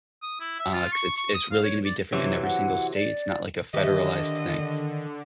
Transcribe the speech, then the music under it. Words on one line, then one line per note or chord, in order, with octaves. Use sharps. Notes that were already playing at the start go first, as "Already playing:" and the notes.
Uh, 'cause it's it's really gonna be different in every single state, it's not, like, a federalized thing.
D#6
E4
E5
F4
C#6
C#6
D#6
F5
C#5
D5
C3 E3 F#3
F#5
D5
D3 D#3 G4 D#5 E5